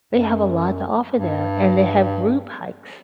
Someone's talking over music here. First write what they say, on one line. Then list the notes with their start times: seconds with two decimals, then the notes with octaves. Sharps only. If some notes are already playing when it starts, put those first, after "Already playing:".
They have a lot to offer there, and they have group hikes.
0.13 F#2
1.18 G2